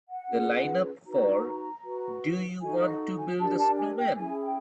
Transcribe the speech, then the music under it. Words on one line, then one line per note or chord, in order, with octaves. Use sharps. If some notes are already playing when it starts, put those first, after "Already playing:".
The lineup for Do You Want to Build a Snowman?
F#5
C#4 F4 G#4 B4
D#4 F#4 B4 A#5
F#4 B4
D#4 F#4 A4 G#5
D#5
G#5
D4 G4 A#4 A5
A5
G#5
G5
C#4 E4 G#4 G#5
G5